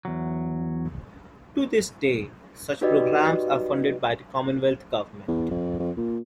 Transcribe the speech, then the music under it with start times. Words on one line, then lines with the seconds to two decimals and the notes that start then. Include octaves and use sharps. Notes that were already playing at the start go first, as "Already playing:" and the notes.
To this day such programs are funded by the Commonwealth Government.
0.05 E2 F#3
2.81 D#4 F#4 G4 B4 D5 D#5
5.28 E2
5.51 F2
5.79 F2
5.97 A#2